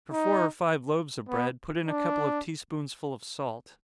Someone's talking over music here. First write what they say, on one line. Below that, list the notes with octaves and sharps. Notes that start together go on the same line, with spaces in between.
For four or five loaves of bread, put in a couple of tea-spoonsful of salt.
D#4
B3
D4